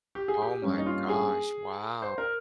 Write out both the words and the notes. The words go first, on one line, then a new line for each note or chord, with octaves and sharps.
Oh my gosh. Wow.
G4
G#4
G4
G2 G3 A#3 C#4
D#4
F4
G#4
C5
A#4